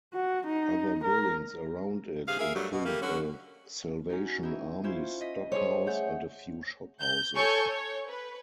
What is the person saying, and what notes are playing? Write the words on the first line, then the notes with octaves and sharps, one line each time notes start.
Other buildings around it include a Salvation Army stockhouse and a few shophouses.
F#4
D#4
A#4
G2 C3 G#4 F5
G#4 A#4 E5 F5
G2 F#3 G3 A3
B2
G3 A3 A#3
D3 F#3 C#4 F#4
C#4 D#4 F#4
D#4 E4
C#4 E4 F4 C5
D#5 B6
G3 G#4 C5 C#5
A3 G#4 F#5 G6
G6
A4 C#5 G#5 C#6 G6
C#5
B4